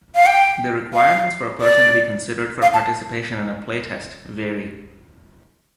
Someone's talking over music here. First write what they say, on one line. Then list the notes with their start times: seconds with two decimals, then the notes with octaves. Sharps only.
The requirements for a person to be considered for participation in a playtest vary.
0.15 F5
0.26 G5
0.94 F5
1.61 D5
2.62 F5
2.74 A5